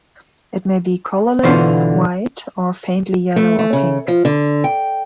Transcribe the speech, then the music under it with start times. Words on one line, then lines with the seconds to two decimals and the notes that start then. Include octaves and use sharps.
It may be colorless, white, or faintly yellow or pink.
1.43 B2 D3 E3 B3 F4 C5
3.36 A3
3.59 A3
3.73 C#3
4.08 F3
4.25 D3
4.64 G5